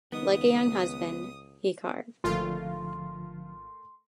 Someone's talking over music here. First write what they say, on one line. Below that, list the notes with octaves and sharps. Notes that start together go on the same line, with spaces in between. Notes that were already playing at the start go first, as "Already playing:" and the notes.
Like a young husband, he carved.
C#2 D#3 G3 B3 D#4 D#6
G#1 D3 F3 A3 F4 A4 A#4 C6